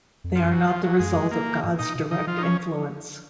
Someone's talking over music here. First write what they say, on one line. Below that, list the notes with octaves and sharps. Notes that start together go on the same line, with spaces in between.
They are not the result of God's direct influence.
F2
F#2 F3
F#3
F3
F#3
F#2 G#3
A#3
G#2
A#2 D#4
B2
D#3 D#4
F3 F4
D#4
C#4